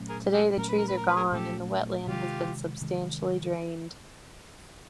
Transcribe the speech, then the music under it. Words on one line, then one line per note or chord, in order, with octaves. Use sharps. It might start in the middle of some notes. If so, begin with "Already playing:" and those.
Today the trees are gone and the wetland has been substantially drained.
Already playing: A#2 F#3 A3 C#4
G#4 A#4
G4 A4
A#2 F#3 A3 C#4 A#4
B4
A#4
B4
A#4
B4
G#4 A#4
A#2 F#3 A3 C#4 G4 A4
C3 D#3 G#3 F4 G4
C3 D#3 G#3